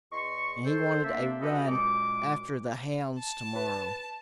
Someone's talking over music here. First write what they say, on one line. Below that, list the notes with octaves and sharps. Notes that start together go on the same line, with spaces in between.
And he wanted a run after the hounds to-morrow.
E2 D#5 C6 C#6
A4 C5
A#3 D4 E5
B3 C#4 F#4 G4 A4 D#5
F#2 A#2 G#3 D6
A5
B4